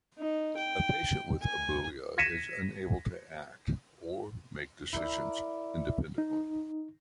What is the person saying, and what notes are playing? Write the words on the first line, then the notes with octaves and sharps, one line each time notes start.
A patient with aboulia is unable to act or make decisions independently.
D#4
G5
G#5
G#6 A#6 B6 C#7 D#7 E7
E4 A#4 D5
D#4